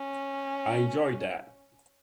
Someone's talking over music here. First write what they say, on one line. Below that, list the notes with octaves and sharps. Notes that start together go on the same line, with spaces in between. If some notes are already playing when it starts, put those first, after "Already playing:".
I enjoyed that.
Already playing: C#4